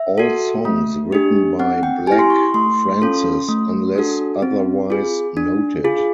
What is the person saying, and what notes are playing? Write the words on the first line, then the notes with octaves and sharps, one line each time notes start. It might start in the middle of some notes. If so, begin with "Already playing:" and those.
All songs written by Black Francis unless otherwise noted.
Already playing: E5
F#4 A4
A3
D4 G4
C4 F#5
G5
E4 G4 G#5
C6
C#6
A3 C6
C#4 F4 A4
A3
D4 F#4 A4
C4
F4 G#4
D4
F4 G#4